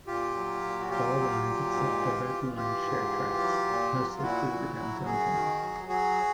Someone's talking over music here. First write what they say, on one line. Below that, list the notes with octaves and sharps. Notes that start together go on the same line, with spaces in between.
All lines except the Red Line share tracks, mostly through the downtown tunnels.
A#2 F4 G4
F#3
A#2
F#4
F#3 F4 G4
F#3
A#2
G#2
E3
E3
E3 F4 G4
G#2
E3
F#3
A#2
F#3
F4
A#2 E4 F#4
A#2
F#3
F#2 F#4 G#4
D#3
F#3
F#3 F#4 G#4